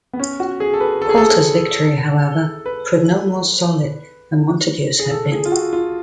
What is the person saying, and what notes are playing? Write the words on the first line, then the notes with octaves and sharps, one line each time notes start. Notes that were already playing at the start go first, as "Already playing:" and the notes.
Colter's victory, however, proved no more solid than Montague's had been.
B3
C#4
F#4
G#4
A4
B4
A4
G#4
A4
B4
G#4
A4
G#4
F4
F#4
F4